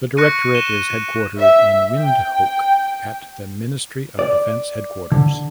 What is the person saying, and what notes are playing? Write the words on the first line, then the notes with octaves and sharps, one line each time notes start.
The Directorate is headquartered in Windhoek at the Ministry of Defence Headquarters.
C#6 F#6 A#6 C#7 D#7
D#7 E7 G7
E5
G5
D5
D3